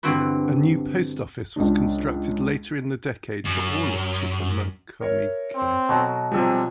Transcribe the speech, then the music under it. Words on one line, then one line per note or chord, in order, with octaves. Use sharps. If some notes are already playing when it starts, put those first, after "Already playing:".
A new post office was constructed later in the decade for all of Chicamacomico.
G2 D3 E3 C4 F#4 B4
C#2 D4
F#2
A#4 C#5 E5
C4
B2 F#3 A4
C3 F3 G3 G#4 G#5 E6